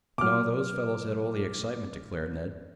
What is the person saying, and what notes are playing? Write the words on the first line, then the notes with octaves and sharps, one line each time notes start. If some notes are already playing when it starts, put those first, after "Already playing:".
"No, those fellows had all the excitement," declared Ned.
B2 F#3 D6 F6